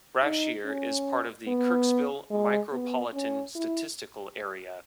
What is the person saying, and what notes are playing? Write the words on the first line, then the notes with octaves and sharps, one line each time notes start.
Brashear is part of the Kirksville Micropolitan Statistical Area.
D#4
C#4
B3
G#3
B3
C#4
E4